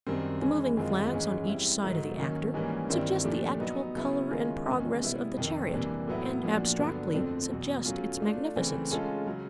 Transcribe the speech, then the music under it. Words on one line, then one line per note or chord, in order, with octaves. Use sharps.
The moving flags on each side of the actor suggest the actual color and progress of the chariot, and abstractly suggest its magnificence.
F#2 D#3 G3 C4
E3 G#3 C#4
F#2 D#3 G#3 C4 F4
G#2 E3 G#3 C#4
G3 C4 E4
G#2 D#3 F#3 A3
D#3 F#3 A#3 C#4
G#2 E3 G3 A#3 C#4
G2 D#3 G3 C4 E4
A#2 F3 A3 D4 G4
F#3 B3 D#4
C#3 F#3 B3 E4
D#3 G#3 C#4 F4 A#4
E2 C3 D#3 G#3 C#4
B2 G3 B3 E4
F2 C3 D#3
C3 E3 G3 A#3 D4
A2 F#3 B3 E4
A#2 F3 A#3 D4 F#4
G2 D3 F#3 B3 D4
F2 D3 F3 A3 C4
E2 B2 F#3
F#3 A3 C#4 F4
A3 D4 F4
C#3 E3 A3 C4
G#3 C#4 F4 A4
C#3 F#3